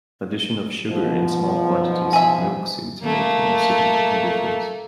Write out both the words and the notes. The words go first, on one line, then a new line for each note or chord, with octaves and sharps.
Addition of sugar and small quantities of milk seem to make no significant difference.
G#2 B2 F3
G#4 E5
A3 A#3